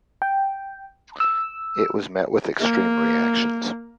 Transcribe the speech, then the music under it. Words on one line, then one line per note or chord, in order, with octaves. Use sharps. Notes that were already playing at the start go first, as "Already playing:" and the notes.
It was met with extreme reactions.
G5
E6
A#3